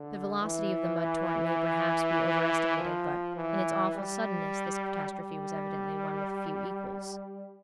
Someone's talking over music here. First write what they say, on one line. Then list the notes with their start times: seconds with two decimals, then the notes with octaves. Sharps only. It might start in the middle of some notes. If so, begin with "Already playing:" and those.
The velocity of the mud torrent may perhaps be overestimated, but in its awful suddenness this catastrophe was evidently one with few equals.
Already playing: D3
0.42 E3
2.78 F3
3.36 E3
3.95 G3
5.12 G3